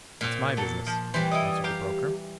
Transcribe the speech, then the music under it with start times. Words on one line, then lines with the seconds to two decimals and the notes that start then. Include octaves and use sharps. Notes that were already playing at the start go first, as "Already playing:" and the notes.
"That's my business," answered the broker.
0.21 A#2 C4 F5
0.57 F#3 A4
0.87 F3
1.14 E3 G3 C5
1.31 E4 D5 D#5
1.64 G4 F5 A#5